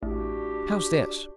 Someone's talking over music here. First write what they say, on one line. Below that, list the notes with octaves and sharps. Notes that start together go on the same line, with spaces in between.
How's this?
A1 D4 F#4 G4